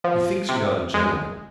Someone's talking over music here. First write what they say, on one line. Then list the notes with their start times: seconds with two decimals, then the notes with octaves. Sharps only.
He thinks you're not a gentleman.
0.04 F3
0.49 C3
0.94 G#3